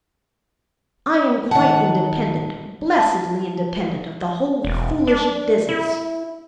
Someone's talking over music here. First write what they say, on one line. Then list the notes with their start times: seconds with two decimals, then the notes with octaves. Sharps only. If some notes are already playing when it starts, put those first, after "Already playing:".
I am quite independent; blessedly independent of the whole foolish business.
1.51 D#3 F#5 A5
2.98 A5
4.64 E1
5.07 D4
5.69 E4